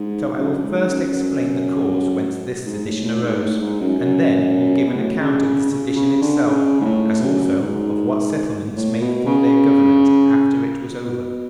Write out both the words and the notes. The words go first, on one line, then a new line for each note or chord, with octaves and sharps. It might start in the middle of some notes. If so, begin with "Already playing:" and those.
So I will first explain the cause whence this sedition arose, and then will give an account of the sedition itself; as also of what settlements made for their government after it was over.
Already playing: G#2
F#2
G#2
F#2
F#2
G#2
A2
A2
G#2
A2
G#2
F#2
F#2
B2
A2
C#3
C#3
C#3
C#3
D3
C#3
G#2
A2
F#2
G#2
A2
B2
C#3
B2